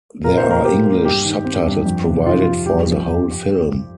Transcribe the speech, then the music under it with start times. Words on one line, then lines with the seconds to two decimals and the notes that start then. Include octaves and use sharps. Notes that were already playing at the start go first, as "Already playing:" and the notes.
There are English subtitles provided for the whole film.
0.24 A#2 A#4
0.37 C5
0.44 A#3
0.50 A#4
0.65 A#2 G4
0.85 A#3
1.05 G2 G4
1.25 D#3
1.45 C4
1.66 G2
1.86 F2
2.06 C3
2.26 D#3 F4
2.42 F2 F4
2.66 G2 G4
2.87 F3